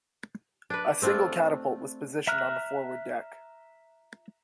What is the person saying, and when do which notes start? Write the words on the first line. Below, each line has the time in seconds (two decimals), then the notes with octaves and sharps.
A single catapult was positioned on the forward deck.
0.70 D4 B4
1.02 A3 C4 D4 F4
2.27 E5 A#5 F6 F#6